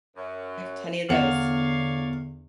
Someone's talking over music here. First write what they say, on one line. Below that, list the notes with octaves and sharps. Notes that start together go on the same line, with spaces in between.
I have plenty of those.
F#2
E2 D3 A4 C#5 D5 F5 F#5